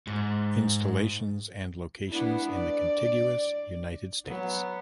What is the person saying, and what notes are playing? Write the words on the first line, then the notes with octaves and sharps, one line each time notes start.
Installations and locations in the contiguous United States.
G#2
B3 D4 E4
D5
F#3 B3